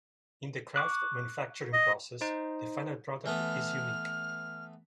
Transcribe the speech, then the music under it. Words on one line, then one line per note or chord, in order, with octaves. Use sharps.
In the craft manufacturing process, the final product is unique.
C#6 D6 F#6
D#5
D#4 C5
E3 A3 B3 F6